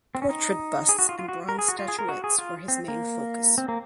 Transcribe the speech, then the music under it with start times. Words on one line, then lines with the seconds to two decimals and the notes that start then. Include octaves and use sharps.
Portrait busts and bronze statuettes were his main focus.
0.15 C4
0.22 C#4
0.29 D#4
0.89 G#4
0.99 F#4
1.09 F4
1.19 F4
1.28 F#4
1.49 A#4
1.59 G#4
1.68 F#4
1.79 F4
1.88 G#4
1.99 A#4
2.09 F#4
2.24 G#4
2.38 F4
2.68 C4
2.88 A#3
3.58 C4
3.68 A#3